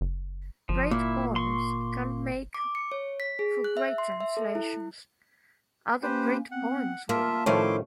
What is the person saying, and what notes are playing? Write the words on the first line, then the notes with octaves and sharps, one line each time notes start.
Great poems can make for great translations, other great poems really.
F#1
G1 F3
A#2 E4
C6 C#6
D6
C#7
C#5
B6
G#4
F#6
E5
C6
E5
A4
E4
A#3 C#4 G4 B4 C5
B3 C4 F#5
A#3 F4 E5 A5
A2 D#3 F3 A3 C#4 E4 C6 D6